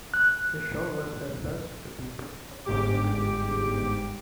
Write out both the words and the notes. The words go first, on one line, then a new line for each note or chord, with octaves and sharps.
The show was her first to be picked up for a second season.
F#6
G1 G#2 G4 D6